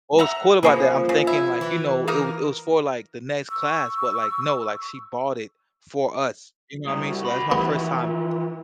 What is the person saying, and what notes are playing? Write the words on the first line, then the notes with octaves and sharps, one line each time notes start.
what was cool about that, I'm thinking, like, you know, it wa it was for, like, the next class, but, like, no, like, she bought it for us, you know what mean? So, that's my first time
E5 F#5 A#5
F3 A#3 C#4 D#4 G#4 B4
C#3
E4
E3
A#3 D#4 A#4
C#6 E6
C2 D#6
F#4
F#2 B5
D#3 E3 B3 G4
F#4
F4